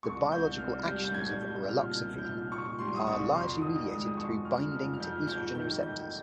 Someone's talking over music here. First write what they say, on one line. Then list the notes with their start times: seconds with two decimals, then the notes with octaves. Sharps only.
The biological actions of raloxifene are largely mediated through binding to estrogen receptors.
0.03 C2 C#6
0.31 C2 G6
0.58 C2 F6
0.86 G3 G6
1.04 G6
1.14 G3 G#6
1.41 G3 G6
1.69 A#2 F6
1.96 C2 G6
2.18 G6
2.24 A#2 F6
2.52 A#2 C#6
2.79 G3 C6
2.96 D#6
3.07 C2 C#6
3.35 F2 C6
3.62 D#3 D#6
3.89 G#3 D#6
4.06 D#6
4.17 F2 C#6
4.44 F2 F6
4.72 F2 F6
4.94 F6
5.00 F2 G6
5.28 F2 G6
5.54 D#3 G6
5.83 D#3 G6